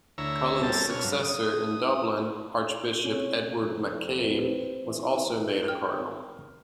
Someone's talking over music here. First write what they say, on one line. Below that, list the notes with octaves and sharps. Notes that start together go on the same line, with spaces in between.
Cullen's successor in Dublin, Archbishop Edward MacCabe was also made a cardinal.
D2 E4 C#5 A#5 E6
G3 C4 C#4 A4 A#4 A5
B2 C#4 C#5 F6
G2 F#3 F5
D#6
C3 C#4
F2
C4 G4 B4
E3
G#4 A#4 G5 F6